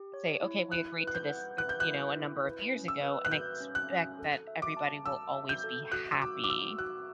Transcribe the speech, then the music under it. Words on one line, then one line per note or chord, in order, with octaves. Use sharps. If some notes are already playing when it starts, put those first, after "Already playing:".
say, "Okay, we agreed to this, you know, a number of years ago and expect that everybody will always be happy."
Already playing: G4
C#5
E4
E4 F#6
B4
F#6
G6
F#5
B4 F#6
G6
F#6
E4
E4
B4
C#4
E6
B4
F#6
B4 G6
C#4
F#6
C#4
A4
E5
D6
A5
A5 E6
E5
G6
A4
F#4 F#6
E6
F#4 D6
D6
F#4 E6
F#4 F#6